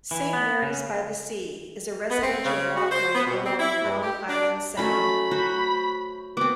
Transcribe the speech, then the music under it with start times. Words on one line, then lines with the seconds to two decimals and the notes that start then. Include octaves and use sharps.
Saint Mary's by the Sea is a residential walkway along Long Island Sound.
0.11 E3
0.33 B3
0.62 C#3
2.10 B3
2.22 C4
2.44 C#3
2.76 F#4
2.91 C5
3.13 B3
3.26 B2
3.45 C4
3.59 E4
3.84 G2
4.03 G4
4.28 D4
4.78 F#3 A3 C#4 B5
5.31 F#4 C5
6.37 B3 C4 D6